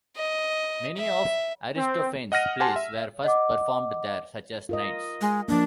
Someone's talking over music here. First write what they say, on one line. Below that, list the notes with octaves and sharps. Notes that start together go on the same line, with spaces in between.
Many of Aristophanes' plays were first performed there, such as 'Knights'.
D#5
E5
C4
D#5 F#5 F6 A#6 D#7
G4 F#5 G#5 A5 C6
E5
D#5 F#5 D6
F4 A#4 D#5
G#3
F3 A#3 D4